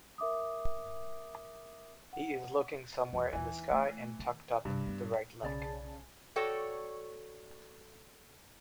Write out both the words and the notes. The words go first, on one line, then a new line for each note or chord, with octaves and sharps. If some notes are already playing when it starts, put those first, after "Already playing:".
He is looking somewhere in the sky and tucked up the right leg.
A#4 E5 D6 D#6
F#5
E2 E3
D#2 E3 D#4
A3
D#3
G2 C3
B3
B1 C#3 G#4 D5 G#5 A5 B5
F#4 A4 C#5 D5 G5